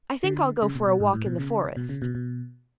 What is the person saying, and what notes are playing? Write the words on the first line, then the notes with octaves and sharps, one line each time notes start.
I think I'll go for a walk in the forest.
D3
C#3
B2
B2
G#2
A2
B2
C#3
B2
C#3
B2
B2